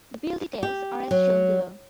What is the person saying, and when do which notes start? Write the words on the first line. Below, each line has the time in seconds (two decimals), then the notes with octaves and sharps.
The build details are as shown below.
0.63 G4
1.11 F#3